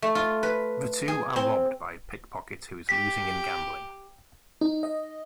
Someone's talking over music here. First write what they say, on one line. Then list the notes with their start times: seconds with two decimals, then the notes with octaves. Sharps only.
The two are robbed by a pickpocket who is losing in gambling.
0.02 A3
0.15 F4
0.43 B4
1.08 G#4
1.36 C4
2.89 G4 B6
4.61 D#4
4.83 D#5